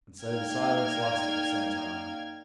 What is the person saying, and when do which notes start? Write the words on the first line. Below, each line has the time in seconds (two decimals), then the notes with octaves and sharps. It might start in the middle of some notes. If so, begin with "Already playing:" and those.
And so the silence lasted for some time.
0.22 A#3 D#4 D5 G5 F6 G#6